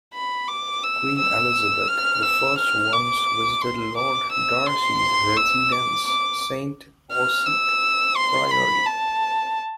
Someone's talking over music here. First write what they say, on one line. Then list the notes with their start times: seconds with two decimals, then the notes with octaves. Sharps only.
Queen Elizabeth the First once visited Lord Darcy's residence, Saint Osyth Priory.
0.14 B5
0.48 D6
0.83 E6
1.19 E6
1.88 F6
2.23 E6
2.58 F6
2.93 D6
3.62 C6
3.97 D6
4.32 E6
4.67 C6
5.37 E6
5.72 D6
6.07 D6
7.12 F6
7.46 E6
8.16 C6
8.51 B5
8.86 A5